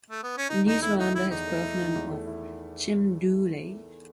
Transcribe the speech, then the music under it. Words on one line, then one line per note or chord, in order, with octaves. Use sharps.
These were under his birth name of Jim Dooley.
A3
B3
C#4
D#3 D#4
E2 D#4
A3 E4
D#4 E4
D#3 E4
E2 D#4
A3
E4
D#3
E2
A3
E4